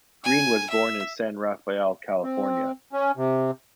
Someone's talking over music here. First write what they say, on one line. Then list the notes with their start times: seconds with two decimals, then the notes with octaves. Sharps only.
Green was born in San Rafael, California.
0.24 G#5
0.69 E5
2.24 C4
2.92 C#4
3.17 C3